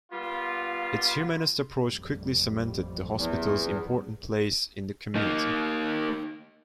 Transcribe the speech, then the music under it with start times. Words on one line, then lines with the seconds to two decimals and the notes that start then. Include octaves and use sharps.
Its humanist approach quickly cemented the hospital's important place in the community.
0.12 G3 A#3 B3 F4
1.83 A1 F2 G3
3.16 E2
5.15 A#3 D#4